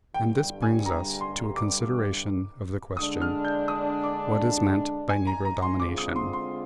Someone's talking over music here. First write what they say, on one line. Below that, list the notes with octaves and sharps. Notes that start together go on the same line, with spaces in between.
And this brings us to a consideration of the question, What is meant by "Negro Domination?"
G2 D3 G3 G5
G5
G#5
A#5
C6
D6
D3 G#3 D4 D#6
F6
G6
D#6
D6
G#5
A#5
A#5
C6
D3 G#3 C4 F4 G#4 D6
D#6
C6
C6